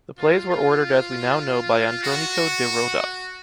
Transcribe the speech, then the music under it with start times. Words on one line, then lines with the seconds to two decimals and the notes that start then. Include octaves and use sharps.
The plays were ordered as we now know by Andrónico de Rodas.
0.18 F4
0.50 F4
2.03 F#4